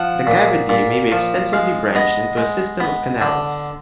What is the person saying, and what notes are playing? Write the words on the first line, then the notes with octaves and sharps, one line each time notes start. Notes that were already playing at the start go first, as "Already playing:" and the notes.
The cavity may be extensively branched into a system of canals.
Already playing: F3 F#5
A#2
A#2
F3
G#3 F5
B3 D#5
G#3
B3
D3